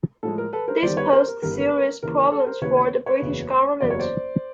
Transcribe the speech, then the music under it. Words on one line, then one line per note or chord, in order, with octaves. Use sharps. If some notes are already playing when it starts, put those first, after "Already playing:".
This posed serious problems for the British government.
A2 F3 G#3 A4
A#4
A4 B4
A#4 C5
G1 G2 D#3 C5 D5
B4 C#5
A#4 C5
A#4
G1 G2 D#3 A#4
B4
A#4
B4
A#4
D#2 C#3 E3 A#4
A#4
A4
A#4 C5
D#2 C#3 E3 B4 C#5
B4 C#5
B4 C#5
F#1 E2 C#3 F#3 B3
F#1 E2 C#3 F#3 B3 D5
C#5
C5 D5